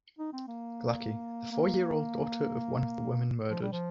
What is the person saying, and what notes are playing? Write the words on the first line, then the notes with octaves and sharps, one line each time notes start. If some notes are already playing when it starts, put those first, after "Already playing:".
Glaki- The four-year-old daughter of one of the women murdered.
D#4
C4
A#3
A#3
F3
G3
F3